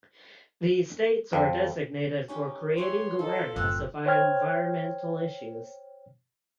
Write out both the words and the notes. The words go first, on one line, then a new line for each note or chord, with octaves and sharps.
These dates are designated for creating awareness of environmental issues.
F2
C#4 D#4 G4
G4 B4 C#5 E5 C6
D#4 F4 A4 A5
F#1 A2 F3 C4 E6 F#6
C5 C#5 G5 F6 G#6